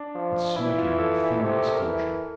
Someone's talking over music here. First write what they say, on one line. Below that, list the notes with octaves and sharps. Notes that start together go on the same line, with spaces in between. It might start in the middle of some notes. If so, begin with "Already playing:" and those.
And smoking like the funnel of a steamship!
Already playing: D4
F3
E3 E4
F4
A4
C3 A4
A4
A4
A#4
E3